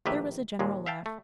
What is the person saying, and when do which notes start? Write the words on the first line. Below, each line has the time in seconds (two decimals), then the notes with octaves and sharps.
There was a general laugh.
0.06 A#1 A2 D#3 G4 B4 E5
0.59 D#2 A#2 G#3
0.86 E5 F5 G5 A5
1.06 A3